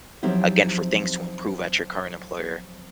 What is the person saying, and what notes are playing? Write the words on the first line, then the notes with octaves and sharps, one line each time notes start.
again, for things to improve at your current employer,
F3 F#3 C4 D#4 E4 G4